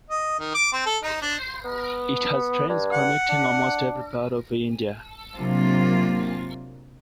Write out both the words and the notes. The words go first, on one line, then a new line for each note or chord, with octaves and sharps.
It has trains connecting almost every part of India.
D#5
D#3
D6
C4
A4
D#4
D4
B3
G2
F#5
D4
C3 F#3 A#3 D4 F4